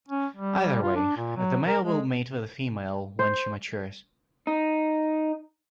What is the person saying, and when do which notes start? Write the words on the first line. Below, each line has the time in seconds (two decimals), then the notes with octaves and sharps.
Either way, the male will mate with the female when she matures.
0.09 C#4
0.36 G3
0.83 F4
0.96 D4
1.17 A#2
1.37 F#3
1.67 A#4
1.86 G#3
3.19 C5
4.47 D#4